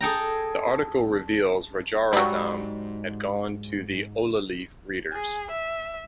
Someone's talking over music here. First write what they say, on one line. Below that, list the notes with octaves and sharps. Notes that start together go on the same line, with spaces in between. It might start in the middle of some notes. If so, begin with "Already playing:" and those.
The article reveals, Rajaratnam had gone to the ola-leaf readers.
G#4 A4 G5 A#5
G#2 F#3 G3
G#4
E5